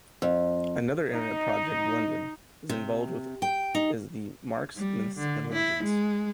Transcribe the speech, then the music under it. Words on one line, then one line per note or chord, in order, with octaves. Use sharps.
Another internet project Blunden is involved with is the "Marx Myths and Legends".
F2
D#4
C3
G5
D#4
G3
D3
E4
G#3